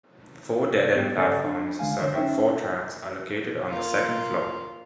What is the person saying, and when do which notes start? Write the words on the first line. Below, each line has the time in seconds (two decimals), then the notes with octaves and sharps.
Four dead-end platforms serving four tracks are located on the second floor.
0.96 G#2 B3 G4 A6
1.16 G2 C#3 A4 D5 G#5 A6
1.44 D4
1.79 C#2 D3 G#3 F5 G#5
1.99 D3 C5
2.14 C#4 D#4 C5 E5 G5
3.69 A#3 F4